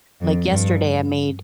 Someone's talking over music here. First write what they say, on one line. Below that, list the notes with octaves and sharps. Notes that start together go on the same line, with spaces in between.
like, yesterday, I made,
F2
G2